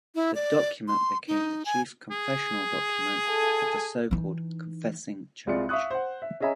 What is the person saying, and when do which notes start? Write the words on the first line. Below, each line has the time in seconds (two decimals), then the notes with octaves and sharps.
The document became the chief confessional document of the so-called Confessing Church.
0.15 E4
0.35 D5
0.88 C6
1.28 D#4
1.65 G#5
2.11 G#4
3.28 A4 G#5
4.11 E3 D#4
5.47 C2 G#3 F4 D5 C#7
5.69 E5 F5 C#6 D#6 F#6
5.91 C5 F#5
6.22 E5
6.40 C#4 G#4 D#5 E5 G#5 A#5